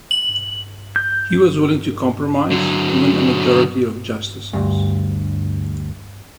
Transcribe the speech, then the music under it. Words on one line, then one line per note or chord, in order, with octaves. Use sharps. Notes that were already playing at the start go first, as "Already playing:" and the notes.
He was willing to compromise to win a majority of Justices.
F#7
G6
D3 F#3
D2 G2